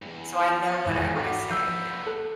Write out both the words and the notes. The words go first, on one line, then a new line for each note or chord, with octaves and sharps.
so I know what I wanna say, yeah.
E2 G2
C#4
G#1 F2 B2 E3 G#5
A#2 B3 F#4 A4 F#5 D6
F3 E6 G6
A4 F#6